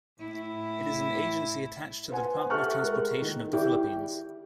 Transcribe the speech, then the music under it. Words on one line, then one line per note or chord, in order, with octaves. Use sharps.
It is an agency attached to the Department of Transportation of the Philippines.
A2 E4
B4 C5 F#5 G#5
G4 A4 E5 C#6 F6 F#6
G#3 A#4
D#3
E4 G4 D5